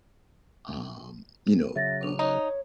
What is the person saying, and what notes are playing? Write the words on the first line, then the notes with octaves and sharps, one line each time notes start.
um, you know, uh,
C#3 F#3 E5 A6 A#6
D4 F7
D#4 C#5